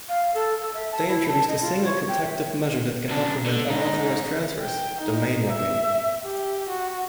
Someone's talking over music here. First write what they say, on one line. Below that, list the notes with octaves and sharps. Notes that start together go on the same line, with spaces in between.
They introduced a single protective measure that can help prevent unauthorized transfers: domain locking.
F5
A4
A4
E5
A5
E4
A5
D#5
F4
C#5
G5
E5
F#2 D4
D3
G#2 D#4
G5
D#4
E5
G4
F#4